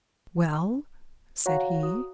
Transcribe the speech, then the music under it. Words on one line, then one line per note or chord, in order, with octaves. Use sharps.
"Well?" said he.
F#4 C#5 F5 F#5 A#5
F#4 D#6